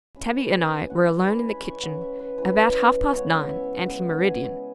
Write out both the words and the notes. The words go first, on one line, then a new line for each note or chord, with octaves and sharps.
Tabby and I were alone in the kitchen, about half-past nine ante-meridian.
E3 G#3 C#4 B5
G#5
E3 G#3 C#4 F#5
G#5
B5
E3 G#3 C#4 C#6
F#5
E5
B4
E3 G#3 C#4 B4
C#3 G#3 B3 C#5
E5
C#3 G#3 B3 F#5
G#5